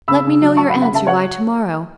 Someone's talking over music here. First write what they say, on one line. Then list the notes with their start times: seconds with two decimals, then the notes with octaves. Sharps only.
Let me know your answer by to- morrow.
0.08 C#3 B5 E6
0.25 C#3
0.41 F#3
0.57 F#3 A5 C#6
0.69 F#5 B5
0.73 C#3
0.82 F#5 B5
0.91 C#3 E5 A5
1.07 F#3 C#5 F#5